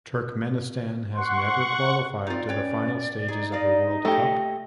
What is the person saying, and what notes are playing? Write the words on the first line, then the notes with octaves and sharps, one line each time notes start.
Turkmenistan have never qualified to the final stages of the World Cup.
F#5 C6 C#6
C4 D#4 F4 D5
C#4 B4 C#5 G5
D#4 G#4
D5 D#5 F5
A#2 A3 G4